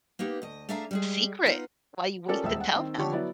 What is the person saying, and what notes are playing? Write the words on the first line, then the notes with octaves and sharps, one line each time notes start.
secret while you wait to tell them?
A#3 B3 D#4 G4
D2 D#5
A3 D4 G#4 E5 F5 A#5
G3 G#3 G#4
B3 D#4 F4
C#4 F4 G4 A4 A#4 D5
D#1 C#2 E5 E6
F#5
D#3 C4
D3 F3 G4 C#5 A5 C#6
F#3 B3 E4 D5